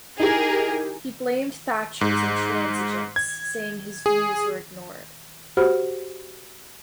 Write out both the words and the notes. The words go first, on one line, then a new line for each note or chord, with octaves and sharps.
He blamed Thatcher's intransigence, saying his views were ignored.
D#4 E4 G4 G#4 A#4
G#2
G#6
G#4
F#4 G4 C5 F#5 B5 F6